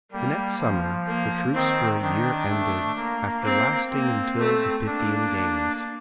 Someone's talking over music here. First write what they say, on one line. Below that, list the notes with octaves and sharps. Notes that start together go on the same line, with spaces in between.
The next summer the truce for a year ended, after lasting until the Pythian games.
G3 A#3
F3
A#3
D#3 C4
D#3 D4
A3
A#3
C4
A#3 C4
A3
A#3 D4